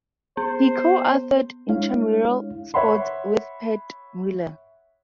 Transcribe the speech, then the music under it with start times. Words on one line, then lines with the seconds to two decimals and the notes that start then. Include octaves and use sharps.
He co-authored "Intramural Sports" with Pat Mueller.
0.37 B3 C5
1.69 G#3 D4 E4 C#5 F5
2.74 C#5 E5 F#5 B5 C6